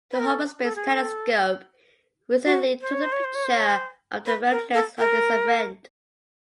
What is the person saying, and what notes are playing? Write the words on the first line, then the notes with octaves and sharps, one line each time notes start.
The Hubble Space Telescope recently took a picture of the remnants of this event.
B4
A#4
A4
A4
G#4
A4
F#4
C5
C#5
C5
C#5
C5
C#5
C5
C#5
C5
B4
A#4
A4
A#4